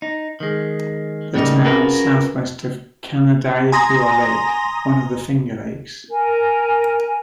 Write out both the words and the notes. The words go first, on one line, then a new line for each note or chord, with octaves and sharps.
The town is southwest of Canandaigua Lake, one of the Finger Lakes.
D#4
D#3 G#3
A2 C#3 G3 A3 A#3 D#4
C#4 F4 F#4 G#4 A#4 B4
G#5 A#5 C6 D#6 A#6
A#4 G#5